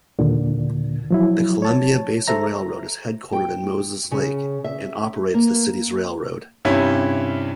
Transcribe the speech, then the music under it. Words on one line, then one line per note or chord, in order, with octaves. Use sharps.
The Columbia Basin Railroad is headquartered in Moses Lake and operates the city's railroad.
D#2 A#2 D3
F3 F#3 E4
C#5 A5
A4 C5 E5 A#5
G5
C#3
E5
A#3
G2 C3 C#4 E4